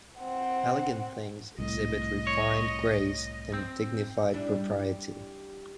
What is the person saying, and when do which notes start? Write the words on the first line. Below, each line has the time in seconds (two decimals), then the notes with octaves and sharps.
Elegant things exhibit refined grace and dignified propriety.
0.20 C4 F#5
1.58 C2 A2 D#5 A#6
2.27 C#5
3.54 C4
4.33 G3 D4 E4